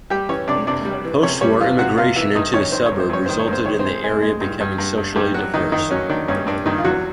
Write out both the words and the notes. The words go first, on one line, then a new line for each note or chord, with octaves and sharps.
Postwar immigration into the suburb resulted in the area becoming socially diverse.
G3 G4 G5
E3 C#4 C#5
C3 D4 D5
C3 D4 D5
G3
E3
C3 C#4 C#5
G3 C#4 C#5
E3 F4 F5
C3 F#4 F#5
C3 F4 F5
E3 E4 E5
G2 D#4 D#5
D#3 C#4 C#5
D#3 C5
C#5
G2
C5
G2 C#5
D#3 C5
C#5
G2
C5
D#3 C#5
C4 C5
G#3
G#3 G#4
G#3
G2
G2
G2
G2
G2 G3 G4
F#3 F#4
D#3 D#4
D#3 D#4
F#3 C#4
D#3 D4
G2 C#4
G2 D4
G2 D#3 D#4
F4
E2 F#3 F#4